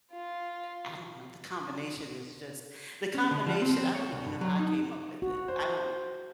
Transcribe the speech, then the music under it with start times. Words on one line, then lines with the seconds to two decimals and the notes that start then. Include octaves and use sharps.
eh, I don't know, the combination is just the combination. I don't even know how I came up with it. I don't
0.11 F4
3.14 C#4
3.31 D3
3.47 F3
3.61 C4
3.77 C4
3.95 C#5
4.13 C2
4.25 G2
4.41 F#3
4.59 D#4
5.22 F#4
5.48 C5